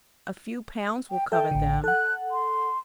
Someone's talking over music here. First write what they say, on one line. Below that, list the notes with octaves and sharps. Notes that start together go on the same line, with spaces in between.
A few pounds will cover them.'
G5
A4 E5 G5 G6
A1 D3
A4 F#5 F#6
C6